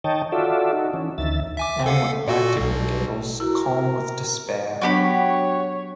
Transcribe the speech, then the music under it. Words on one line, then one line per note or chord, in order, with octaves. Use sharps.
Anne went back to Green Gables calm with despair.
D#3 C#5 D#5 G5 A5
F4 F#4 A4 D5 E5
D#4 F#4
E3 C#4
D2 D#3 E5 A6
E5 G#5 D6
A4 F5 F#5
A#2 F#4 A4
B1 B2
E4 F#4 A#4
F#3 B3 D4 F#4 G4 C#5 B5